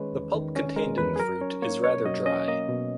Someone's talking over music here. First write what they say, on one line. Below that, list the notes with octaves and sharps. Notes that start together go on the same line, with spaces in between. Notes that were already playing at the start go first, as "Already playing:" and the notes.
The pulp contained in the fruit is rather dry.
Already playing: D#3 G#3 C#4 B4 C#5
E2
D#3
C#4
G#3 A#4
E2 B4
G#4
F#3 A#4
C#4 C#5
A#3 C#5
B2 C#5
F#3 D#5
C#4 D#5
A#3 D#5
B2